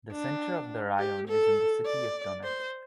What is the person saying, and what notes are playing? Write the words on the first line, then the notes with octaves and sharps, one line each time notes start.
The center of the raion is in the city of Donetsk.
D4
G4
A4
D5
C5